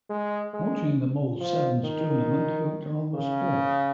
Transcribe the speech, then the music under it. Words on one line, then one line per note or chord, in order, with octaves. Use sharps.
Watching the Mull Sevens tournament hooked her on the sport.
G#3
G#3
F3
D#3
C#3